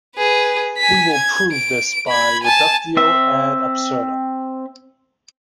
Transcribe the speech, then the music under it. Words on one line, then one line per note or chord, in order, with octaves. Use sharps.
We will prove this by reductio ad absurdum.
G#4 B4
G#5 B6
G#6
D7
B5 G#6
G#5 A5
C4 E5